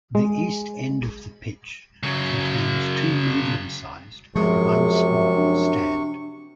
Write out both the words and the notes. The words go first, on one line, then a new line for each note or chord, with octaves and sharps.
The east end of the pitch contains two medium-sized and one small stand.
G#3
C#3 F#3
F#2 C3 F3 G#3 G#4 C#6
D4